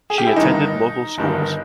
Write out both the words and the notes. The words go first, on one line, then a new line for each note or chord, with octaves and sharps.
She attended local schools.
G#4
G4
E4
G1 G2 D#3 D#4
G1 G2 D#3